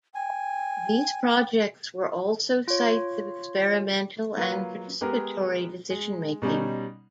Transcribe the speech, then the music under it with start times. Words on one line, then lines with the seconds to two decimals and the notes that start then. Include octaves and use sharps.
These projects were also sites of experimental and participatory decision making.
0.15 G5 G#5
2.68 F4 C#5
4.37 F#3 A#3 F4 B4
5.01 G#3 B3 G4 G#4 A#4
5.90 G#3
6.42 B2 G3 C#4 D#4